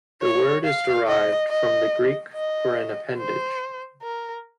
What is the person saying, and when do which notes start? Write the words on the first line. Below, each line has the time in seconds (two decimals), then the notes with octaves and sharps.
The word is derived from the Greek for an appendage.
0.22 C#5
0.64 F5
1.07 D#5
1.49 D#5
2.33 D#5
3.18 C5
4.02 A#4